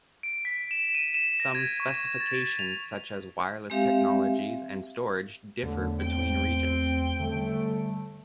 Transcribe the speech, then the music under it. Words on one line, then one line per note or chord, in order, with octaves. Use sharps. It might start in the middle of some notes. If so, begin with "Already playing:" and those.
Some specifications such as wireless technologies and storage differ between regions.
D7
B6
E7
D#7
E7
A#6
G#6
C#6
A6
F7
G#3 C4 G4 E5 F5
E2 D3 A3 B3
C4 G5
D3 G3 A3